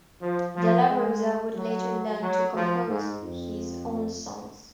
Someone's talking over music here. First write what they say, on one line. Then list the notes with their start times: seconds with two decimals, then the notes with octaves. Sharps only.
Dela Rosa would later learn to compose his own songs.
0.22 F3
0.56 F3
0.88 G#3
1.55 F#3
2.22 F#3
2.56 F3
2.89 G#2
3.22 F2